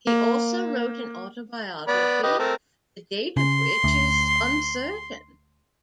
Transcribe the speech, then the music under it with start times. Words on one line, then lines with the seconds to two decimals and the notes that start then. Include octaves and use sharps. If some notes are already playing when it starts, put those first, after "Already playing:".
He also wrote an autobiography, the date of which is uncertain.
0.07 A#3
1.88 B3 D5 B5
2.23 G4 B4 D#5
2.39 A3 C4 A#4
3.37 C#3 C6
3.84 D2